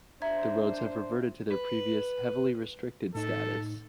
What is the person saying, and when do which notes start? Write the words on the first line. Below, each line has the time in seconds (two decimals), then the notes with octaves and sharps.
The roads have reverted to their previous 'heavily restricted' status.
0.22 D4 C5 E5 A#5 G#6
1.52 B4
3.15 A2 D#4 A4